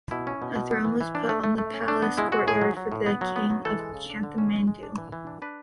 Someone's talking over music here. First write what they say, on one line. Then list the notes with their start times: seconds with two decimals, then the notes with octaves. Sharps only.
A throne was put on the palace courtyard for the king of Kathmandu.
0.11 B2 E4
0.27 C#4
0.42 B2
0.56 B2
0.71 B3
0.85 E3
1.01 E3
1.15 D4
1.29 A3
1.44 A3
1.58 A3
1.74 C#4
1.88 D4
2.02 B3
2.17 G#3 E4
2.32 G#3 F#4
2.47 A2 G#4
2.61 F#3
2.77 F#3
2.92 A2
3.06 B3
3.21 F#3
3.36 B3
3.50 F#3
3.65 E3 A4
3.79 G#3
3.94 C#3
4.10 D4
4.23 D3
4.38 C#4
4.53 G#3
4.67 G#3
4.83 D4
4.98 E3
5.12 E3
5.27 D4
5.42 D4 B4